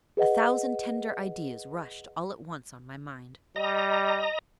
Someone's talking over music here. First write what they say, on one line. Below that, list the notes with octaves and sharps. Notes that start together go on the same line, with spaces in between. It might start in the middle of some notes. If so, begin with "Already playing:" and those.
A thousand tender ideas rushed all at once on my mind.
G#4 B4 D#5 F#5
G3 D#5 A#5